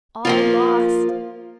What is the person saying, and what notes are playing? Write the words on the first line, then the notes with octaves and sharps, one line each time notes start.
"All lost!"
F3 A#3 F4